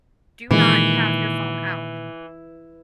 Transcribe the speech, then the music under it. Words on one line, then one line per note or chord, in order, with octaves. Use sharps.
do not have your phone out."
A#2 D#3 E3 G#3